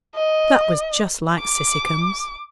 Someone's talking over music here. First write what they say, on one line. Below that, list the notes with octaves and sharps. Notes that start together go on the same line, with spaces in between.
That was just like Cissycums.
D#5
D6